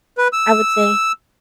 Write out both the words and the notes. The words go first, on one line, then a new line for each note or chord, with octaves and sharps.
I would say
B4
E6